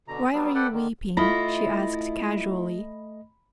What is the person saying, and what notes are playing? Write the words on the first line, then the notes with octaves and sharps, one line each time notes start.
"Why are you weeping?" she asked casually.
B2 D3 A#5
F#3 G3 B3
A4 B4 D5 F#5 G5
D3 D#3
A3 E4 F4 D#5 B5 A#6